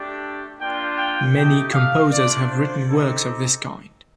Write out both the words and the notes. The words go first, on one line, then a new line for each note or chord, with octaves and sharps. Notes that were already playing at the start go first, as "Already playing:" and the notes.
Many composers have written works of this kind.
Already playing: A3 D4 G4
A#3 D4 F4 G5
G5
A3 D#4 G4 G5
F5
A3 D4 F4 D5
C5
C4 D#4 G4 A4